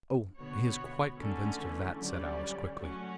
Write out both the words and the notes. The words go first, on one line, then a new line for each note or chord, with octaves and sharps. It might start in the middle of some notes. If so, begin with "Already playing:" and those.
"Oh, he is quite convinced of that," said Alice, quickly.
B2 D3 B3 F#4 C#5
D3 A3 C#4
C#3 E3
D3 F#3 G3 C#4 G4 D5
F#3 A3 C#4 F#4 C#5